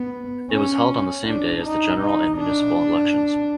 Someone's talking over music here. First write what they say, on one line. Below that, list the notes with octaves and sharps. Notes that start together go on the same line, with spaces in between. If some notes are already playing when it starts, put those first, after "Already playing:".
It was held on the same day as the general and municipal elections.
Already playing: B3
C#4
D4
D#4
D#4
D4